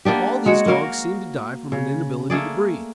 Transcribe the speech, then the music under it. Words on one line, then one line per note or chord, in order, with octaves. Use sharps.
All these dogs seemed to die from inability to breathe.
A#3 B3 D4 G4
G#3 F#4 C#5
A#3 F#4 A#4 F5
C#3
A3 A#3 G#4 D5